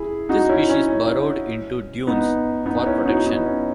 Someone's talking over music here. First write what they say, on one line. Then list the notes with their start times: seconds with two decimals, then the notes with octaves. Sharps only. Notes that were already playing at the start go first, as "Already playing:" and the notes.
This species burrowed into dunes for protection.
Already playing: E4 G#4
0.29 D#4 F#4
0.49 C#4 E4
0.69 C#4
0.88 C#4
2.07 B3 D#4
2.66 B3 D#4
2.86 C#4 E4
3.06 D#4 F#4
3.26 B3 D#4
3.46 C#4